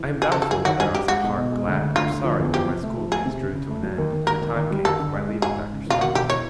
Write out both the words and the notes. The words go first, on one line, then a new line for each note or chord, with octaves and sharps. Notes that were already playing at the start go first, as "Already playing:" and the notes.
I am doubtful whether I was at heart glad or sorry, when my school-days drew to an end, and the time came for my leaving Doctor Strong's.
Already playing: E3
C#3
C#3 G#4
A4
E3
A4
G3 G#4
D#3 F#4
G2 G#4
G3 G4
G#3 F#4
B1
B2
G#3
D2
D2
D2 F4
D2
F3
E2
F3 G4
C3
A3
F3
A3 G#4
C3
C#3
C#3
A3
F#3
D#2
D#2
D#2 A#4
D#2
D#2
G3
D#2 A4
D3
G#3
G#3
G#2 G#4
G#2
C#3
E1 F4
D#2 F#4
E1 G4
E3 C#5